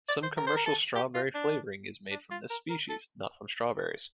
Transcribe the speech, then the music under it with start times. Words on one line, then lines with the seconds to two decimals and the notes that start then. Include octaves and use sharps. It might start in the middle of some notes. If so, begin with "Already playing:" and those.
Some commercial "strawberry flavouring" is made from this species, not from strawberries.
0.09 D5
0.23 C5
0.37 A#4
0.47 C5
0.56 A#4
0.66 A4
0.96 G4
1.15 F4
1.34 D4
2.11 D4
2.31 F4
2.50 A#4
2.70 A#4
2.89 A4